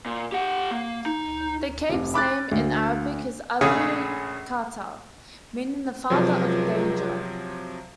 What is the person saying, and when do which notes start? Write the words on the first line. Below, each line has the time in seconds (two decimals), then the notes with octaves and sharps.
The Cape's name in Arabic is "Abu Khatar", meaning "the father of danger".
0.06 A#2
0.32 G4 F#5
0.71 A#3
1.06 D#4
1.90 F1 C3
2.14 B5 D6 F#6 A6
2.51 D2
3.61 A#1 C#3 A3 G#4 C#5 F5
6.10 C#2 C3 F3 F#3